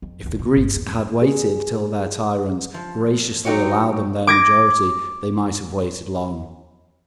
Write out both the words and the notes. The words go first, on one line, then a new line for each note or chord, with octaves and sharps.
If the Greeks had waited till their tyrants graciously allowed them their majority, they might have waited long.
F2
F1 D#2
B2
G1
E2
E2
G#4
F3
F#3 C4 D#4 F#4 G4 C#5
D6 G#6 A#6